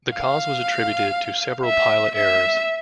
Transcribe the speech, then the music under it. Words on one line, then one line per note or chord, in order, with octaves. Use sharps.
The cause was attributed to several pilot errors.
F5
E5
E5